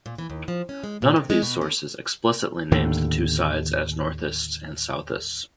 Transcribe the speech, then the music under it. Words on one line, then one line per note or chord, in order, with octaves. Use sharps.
None of these sources explicitly names the two sides as Northists and Southists.
A#2
E3
D#2
F3
C#4
G#3
A#2
C3
G#3
B2
D3
D#2 A2 D3